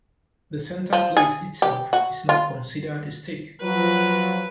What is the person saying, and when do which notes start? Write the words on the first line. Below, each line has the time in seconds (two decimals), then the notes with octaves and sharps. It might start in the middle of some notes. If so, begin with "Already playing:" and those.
The center place itself is not considered a stake.
0.93 F3
1.17 G#4
1.62 G4
1.93 F#4
2.29 F4
3.62 F3 F#3 B4